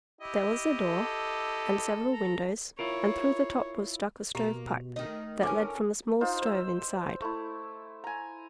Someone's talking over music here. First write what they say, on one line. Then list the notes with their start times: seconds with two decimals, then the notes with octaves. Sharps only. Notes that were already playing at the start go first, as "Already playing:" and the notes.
There was a door, and several windows, and through the top was stuck a stovepipe that led from a small stove inside.
0.21 E4 G4 D#5
0.81 A4
2.13 A#5
2.79 E4 F4 A#4 C#5
4.35 B2 A#3 G4
4.96 D#3 A3 D#4 D#5
5.43 A2 C#4 A#4 G#5 D6
6.21 D#4 F4 C5
6.42 C5 E6
7.22 A3 E4
8.04 G#5 A#5